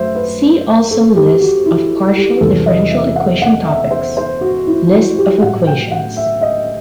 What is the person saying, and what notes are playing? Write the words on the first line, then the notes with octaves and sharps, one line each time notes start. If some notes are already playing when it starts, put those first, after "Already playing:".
See also list of partial differential equation topics, list of equations.
Already playing: F#2 F#3 A3 C5 E5
B4
A4
G4
F#4
E4
G4
E2 C3 F#3 A4
D#5
E5
F#5
F#5
E5
C5
C5
F#4
E4
F#4
G4
A2 F#3 A3 F#5
G5
F#5
E5
D#5